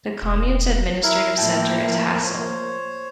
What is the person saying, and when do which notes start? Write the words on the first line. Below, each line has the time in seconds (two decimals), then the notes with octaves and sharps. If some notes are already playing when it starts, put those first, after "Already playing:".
The commune's administrative centre is Hassel.
0.22 E1
1.03 E4 A#4
1.38 A2 F3 A#3 E4 G5 A5
2.22 C5 C#5